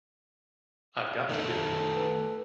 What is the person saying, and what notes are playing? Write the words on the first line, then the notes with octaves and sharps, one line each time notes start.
I've got to do it.
D#3 A3 A4
B4